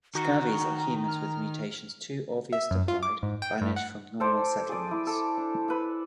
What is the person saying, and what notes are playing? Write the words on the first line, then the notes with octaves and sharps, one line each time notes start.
Scavvies are humans with mutations too obvious to hide, banished from normal settlements.
D#3 F#4 A#5
F6
E5
F#2
F4
D6
G#2
G5
G2
F#5
A4 C5 D5
G#4 D5
E4
A4
D4
B4 E6